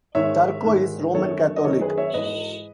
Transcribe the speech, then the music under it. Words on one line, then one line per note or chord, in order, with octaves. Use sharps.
Turco is Roman Catholic.
G#2 D#3 C#5 E5
G#2 D#3
F#2 D#3 A4 C#5
D#5
F#2 D#3 A4 C#5
G#4 B4
C#5 E5
G#2 E3 B4 D#5